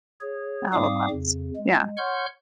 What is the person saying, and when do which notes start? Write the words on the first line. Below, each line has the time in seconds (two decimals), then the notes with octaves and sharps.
a loe plants, yeah.
0.21 G#4 C#5
0.73 G#2 G3 C4 F5 D6 D#6
1.11 F2 C#3
1.56 G#3
1.97 C#5 F#5 C6 C#6 F6 G6